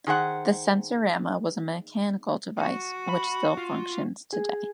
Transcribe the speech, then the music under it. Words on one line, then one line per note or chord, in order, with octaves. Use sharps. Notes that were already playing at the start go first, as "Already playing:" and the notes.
The Sensorama was a mechanical device, which still functions today.
D#3 G#4 C5 F#5
F#4
B5
F4
G#4